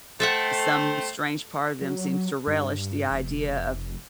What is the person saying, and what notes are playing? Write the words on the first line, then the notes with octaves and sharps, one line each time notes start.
eh, some strange part of them seems to relish the idea of
A3 A4 C5 E5 F#5 G5
F#3
G2
F1